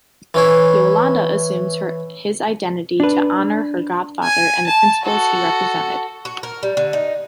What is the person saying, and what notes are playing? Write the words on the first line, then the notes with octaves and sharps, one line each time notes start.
Yolanda assumes his identity to honor her godfather and the principles he represented.
E3 C#4 E4
D4 B4
G#5
A5
F#4 A4
F#4
A#4
G3
D3
D#4